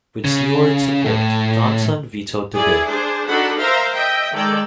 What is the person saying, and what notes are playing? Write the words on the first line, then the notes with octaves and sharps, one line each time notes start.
With Seward's support, Johnson vetoed the bill.
C#3
A2
E4 G#4 D5
D4 G#4 C5
D4 D#4 F#4 A4 F#5 B5
A#4 C5 E5 F5 A#5 C6
D#5 E5 G5
D#3 G#3 A4 D5 G5